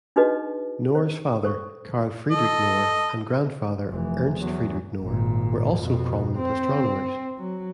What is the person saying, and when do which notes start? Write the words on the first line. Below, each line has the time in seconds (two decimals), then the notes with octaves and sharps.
Knorre's father, Karl Friedrich Knorre, and grandfather, Ernst Friedrich Knorre, were also prominent astronomers.
0.16 D4 D#4 F#4 G#4 B4 D#5
0.95 C5
1.43 A4 C5 C#6
2.31 A4 D#5
3.88 F1 E3
4.38 E2 F#3
5.00 G#1 A#2
5.75 F2 B2
6.37 C4
7.38 F#3